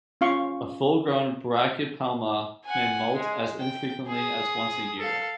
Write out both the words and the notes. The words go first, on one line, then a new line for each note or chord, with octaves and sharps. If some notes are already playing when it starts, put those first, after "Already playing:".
A full-grown "Brachypelma" may molt as infrequently as once a year.
C#4 F4 F5 C#6
F#5 G#5
G#3
G5
G#4 D#6
A4 F5